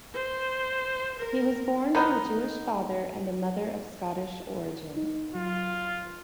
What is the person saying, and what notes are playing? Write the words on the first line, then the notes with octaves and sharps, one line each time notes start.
He was born to a Jewish father and a mother of Scottish origin.
C5
A#4
D#3 B3 D#4
D#4
F#3 F4